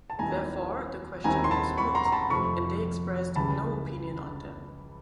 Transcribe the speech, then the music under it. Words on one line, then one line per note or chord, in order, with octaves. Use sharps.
Therefore, the question was moot, and they expressed no opinion on them.
A5
D#2 D#3 G3 B3 E4 G#5 A#5
D#2 D#3 G3 C4 E4 G#5 A#5
C6
A5 B5
B5 C#6
A#5 C6
A#5
A5 B5
F2 C3 F3 A3 B5 C#6
C#2 C#3 E3 G3 A5 B5